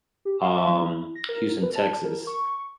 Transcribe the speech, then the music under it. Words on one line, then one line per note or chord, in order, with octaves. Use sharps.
um, Houston, Texas.
G4
F5
E5
F3
E4
A#6
A#4
B4
A5
A#4
C#6